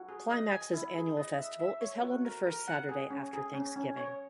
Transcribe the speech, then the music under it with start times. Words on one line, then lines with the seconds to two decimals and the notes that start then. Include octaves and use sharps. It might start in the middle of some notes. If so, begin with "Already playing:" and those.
Climax's annual festival is held on the first Saturday after Thanksgiving.
Already playing: F#4
0.09 G#4
0.31 D#5
0.52 G#5
0.73 E4
0.95 G#4
1.17 D#5
1.38 E5
1.59 E5
1.81 C#5
2.03 F#4
2.25 A#4
2.47 A#4
2.68 F#5
2.89 G#4
3.10 C#4
3.33 G#4
3.54 C#4
3.76 C#4
3.97 C#5